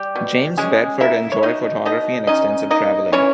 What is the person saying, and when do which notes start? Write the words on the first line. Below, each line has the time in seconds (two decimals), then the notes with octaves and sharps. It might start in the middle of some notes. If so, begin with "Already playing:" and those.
James Bedford enjoyed photography and extensive traveling.
Already playing: G3 G4
0.15 B2
0.58 G#3 C#4 G#4
1.00 A#3 E4 E5
1.32 C#5
1.43 B2 D#4 D#5
1.85 B2 D#4 D#5
2.27 C#4 D#4 D#5
2.70 A#3 D#4 D#5
3.12 E3 C#4 C#5